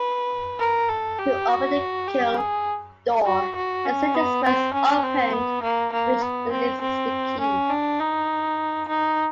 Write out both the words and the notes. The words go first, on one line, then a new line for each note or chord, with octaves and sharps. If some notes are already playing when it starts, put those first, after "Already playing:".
To open the kiln door, the switch is first opened, which releases the key.
Already playing: B4
A#4
A4
G4
F#4
G4
G#4
F#4
F#4
C#4
B3
C4
C#4
C4
B3
A#3
A#3
B3
C4
C4
C#4
D4
D#4
D#4